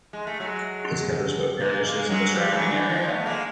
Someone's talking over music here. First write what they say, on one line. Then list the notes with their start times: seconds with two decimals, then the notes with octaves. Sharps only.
This covers both parishes and the surrounding area.
0.13 G#3
0.27 A3
0.40 F#3 G#3
1.60 G#3 A#3
1.85 G#3 A#3
2.09 F#3 G#3
2.34 F3 G3
2.53 E3 F#3
2.71 D3 E3
2.89 D#3 F3
3.08 A3 B3
3.26 G#3 A#3